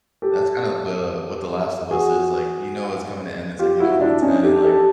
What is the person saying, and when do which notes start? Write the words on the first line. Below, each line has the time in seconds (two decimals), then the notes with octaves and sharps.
That's kinda the what The Last of Us is, like, you know it's coming to end, it's, like, you don't want it to end, and like,
0.22 G4 A4
1.91 F#4 G#4
3.59 F4 G4
3.79 E4 F#4
4.00 D4 E4
4.22 C#4 D#4
4.43 G4 A4
4.63 G4 A4